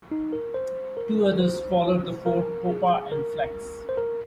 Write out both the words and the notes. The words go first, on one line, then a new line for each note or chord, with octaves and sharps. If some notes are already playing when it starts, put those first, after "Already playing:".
Two others followed the four, Poppa and Flex.
D#4
A#4
C5
A#4
C5
A#4
G#4
A#4
C5
A#4